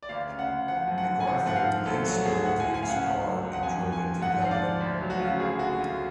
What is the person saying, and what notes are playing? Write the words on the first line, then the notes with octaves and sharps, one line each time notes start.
MacArthur then stole Dunne's car and drove it to Dublin.
D5
D2 F5
C#3
F#5
D2
F3 F#5
F#2
F#5
D3
G#5
F3 F#5
G#2 F#5
F5
F3
D2 A4
F#3 F#4
D2 G#4
D2 F#5
D2 G#5
G#5
C#3 F5
F#5
C#2
F#3
C#2
F#5
F2 G#5
F2
G#5
F2
G#2 F#5
F3 F5
D5
F3
D2
F#3
F#4
C#3 F4
F#4
D2 G#4
D3 F#4
D2 F4